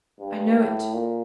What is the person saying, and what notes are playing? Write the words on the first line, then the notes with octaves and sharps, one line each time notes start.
I know it.
G2
A2
A#2